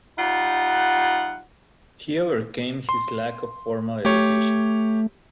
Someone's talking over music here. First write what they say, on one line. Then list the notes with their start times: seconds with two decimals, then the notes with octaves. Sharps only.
He overcame his lack of formal education.
0.18 G3 D#4 F4 F#5
2.89 C6
4.05 A3 G4 C#5